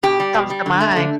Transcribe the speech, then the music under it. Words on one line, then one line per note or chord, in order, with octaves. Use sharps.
comes to mind.
B2 G4
G3
B2
G3
D3
A3
D3